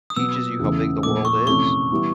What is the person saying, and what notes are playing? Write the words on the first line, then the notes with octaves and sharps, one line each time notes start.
teaches you how big the world is,
D#6
B2 F#3 B3 E6
E2 C#3 E3 A3
A#2 F3 A3 D6
C#6
F2 C3 E3 A3 C#4 C#6
E3 G3 B3 E4